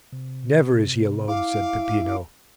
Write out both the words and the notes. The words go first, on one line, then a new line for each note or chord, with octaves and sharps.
"Never is he alone," said Peppino.
C3
E4 F5 D6